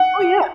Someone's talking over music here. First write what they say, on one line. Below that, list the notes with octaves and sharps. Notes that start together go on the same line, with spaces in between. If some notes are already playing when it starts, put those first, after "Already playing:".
Oh, yeah.
Already playing: F#5